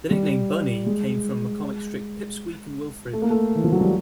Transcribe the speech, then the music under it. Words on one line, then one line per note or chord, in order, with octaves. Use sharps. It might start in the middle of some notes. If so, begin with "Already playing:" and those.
The nickname "Bunny" came from a comic strip, "Pip, Squeak and Wilfred".
G3
G#3
A3
A#3
A3
E3
F3
F#3
G3